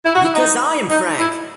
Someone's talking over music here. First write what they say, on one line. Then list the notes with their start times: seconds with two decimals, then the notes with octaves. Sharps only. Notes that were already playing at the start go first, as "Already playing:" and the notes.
Because I am Frank!
0.05 E4
0.15 F#4
0.25 E4
0.34 D#4
0.90 D#4
1.19 E4